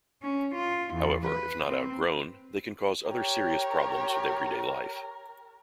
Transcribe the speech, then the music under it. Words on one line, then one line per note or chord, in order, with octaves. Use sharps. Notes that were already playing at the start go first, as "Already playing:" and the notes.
However, if not outgrown, they can cause other serious problems with everyday life.
C#4
F4
E2
B4
C4
G4 A#4 C#5